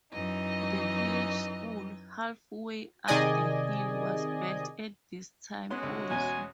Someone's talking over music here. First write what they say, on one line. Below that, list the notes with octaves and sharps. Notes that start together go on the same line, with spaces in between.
The village school, halfway up the hill, was built at this time also.
F#2 E3 D#4 D#5
C3 D#3 G#4 D5 D#5 G#5
F#3 G#3 B3 C#4 F#4 C6
C2 D3
E2 B2 C#4 G#5